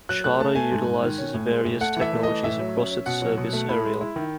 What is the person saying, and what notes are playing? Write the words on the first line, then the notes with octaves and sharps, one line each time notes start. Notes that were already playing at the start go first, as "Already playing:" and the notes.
Charter utilizes various technologies across its service area.
F#3 F#6
A3 F#6
A3 A5
A3 G#5
G#2
G#2
D#3
C#4
A2
G#3
A2
A3 F#5
E3 E5
A3
E3 D#5
A2 E5
F#3
C#4
C#4
B2 F#5
F#3
B2
A3
E4 B5
G#3
E4
D#3